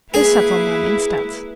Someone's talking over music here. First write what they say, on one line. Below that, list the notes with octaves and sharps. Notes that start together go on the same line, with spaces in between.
They sat on them, instead.
A#3 E4 G#4 B4